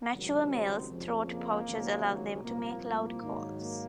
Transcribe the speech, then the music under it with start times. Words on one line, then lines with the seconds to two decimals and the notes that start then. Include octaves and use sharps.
Mature males' throat pouches allow them to make loud calls.
0.11 C#2 C3 D#3 F#3
0.50 C4
0.88 F2 C#3 F3
1.27 A#3
1.66 C#2 C3 D#3 F#3
2.42 C2 A#2 F3 A#3
2.80 A#3
3.20 G#2 D#3 F#3
3.58 A#3